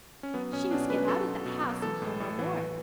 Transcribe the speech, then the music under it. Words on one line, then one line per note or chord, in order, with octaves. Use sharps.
She must get out of that house and hear no more.
C#4
F#3 B3
B2 C#4
B2 D4
F#3 B4
F#3 A4
B2
B2
F#3
E3 A4
A2
A2
E3
E3